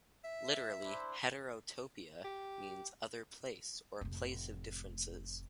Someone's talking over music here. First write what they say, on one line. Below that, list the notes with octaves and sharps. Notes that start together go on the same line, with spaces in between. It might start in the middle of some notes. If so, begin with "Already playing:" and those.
Literally, heterotopia means "other place" or "a place of differences".
E5
D4 E4 C5
G4
F1 A2